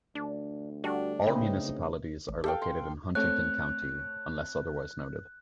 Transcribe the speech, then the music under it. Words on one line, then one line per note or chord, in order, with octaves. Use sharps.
All municipalities are located in Huntingdon County unless otherwise noted.
D2 D4
G3 D4 F#4 A4
C#3 A3 C4 D#4 B4
G#1
G4 A4 F5 G5
C6
A3 C4 C#5 F#6